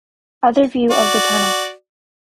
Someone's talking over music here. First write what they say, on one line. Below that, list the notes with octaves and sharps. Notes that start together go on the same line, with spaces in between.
Other view of the tunnel.
F#4 D5